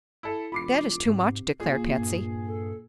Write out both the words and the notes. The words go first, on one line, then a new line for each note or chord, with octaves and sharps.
"That is too much," declared Patsy.
E4 A4
E1 F4 B5 D6 C7
G#2 C3
A#2 A#3 F4 G#4
G2
A4